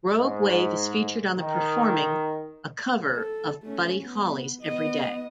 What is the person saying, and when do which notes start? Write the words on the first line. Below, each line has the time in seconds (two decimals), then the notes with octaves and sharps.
Rogue Wave is featured on the performing a cover of Buddy Holly's "'Everyday'".
0.17 G#2
1.39 D#3
3.16 A4
3.63 A3 C#4
4.02 B3
4.62 B3 D#5